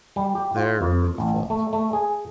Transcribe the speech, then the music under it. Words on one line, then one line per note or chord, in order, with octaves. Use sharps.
There lay the fault.
G3
G4
F4
F2
A1
A3
A3
G#4